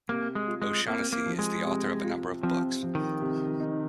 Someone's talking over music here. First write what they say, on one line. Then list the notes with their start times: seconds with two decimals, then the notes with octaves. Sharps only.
O'Shaughnessy is the author of a number of books.
0.09 C3 A#3
0.35 G#3
0.47 F4
0.62 G#3
0.87 A#3 C4
1.13 A#3
1.26 F3
1.39 G#3
1.64 C3
2.04 F4
2.43 F3 C4
2.83 F3
2.95 D#3
3.21 C3
3.60 D#4